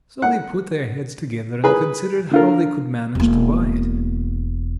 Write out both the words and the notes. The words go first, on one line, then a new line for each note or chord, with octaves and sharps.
So they put their heads together and considered how they could manage to buy it.
F#5
G#4 B4 B5
D3 F4 A#4
E1 A#3